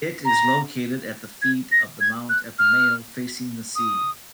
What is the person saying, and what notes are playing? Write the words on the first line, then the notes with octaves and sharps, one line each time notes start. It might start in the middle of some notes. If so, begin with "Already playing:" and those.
It is located at the feet of the Mount Epomeo, facing the sea.
A#5
G#6
A#6
G#6
F#6
F6
D#6